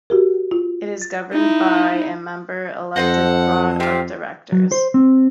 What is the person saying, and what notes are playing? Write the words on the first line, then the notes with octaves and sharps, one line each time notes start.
It is governed by a member-elected board of directors.
F#4 G4 A#4
F4
A6
D#4 E4
F2 A4 C5 D#5 F#5
C3 C4 F4
F#3
C5
C4